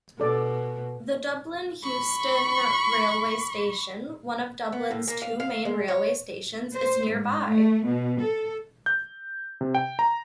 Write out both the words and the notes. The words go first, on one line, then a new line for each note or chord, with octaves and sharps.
The Dublin Heuston railway station, one of Dublin's two main railway stations, is nearby.
B2 A4 D5
B5 C#6
B3
A2
A#3
F5
F5
G#3
C#5
C5
G#2
A3
B2
A4
G6
C3
G5
A#5